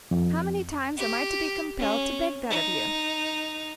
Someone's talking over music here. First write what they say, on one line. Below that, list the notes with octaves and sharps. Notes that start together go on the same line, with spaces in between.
How many times am I to be compelled to beg that of you!
F2
G4
C#4
D#4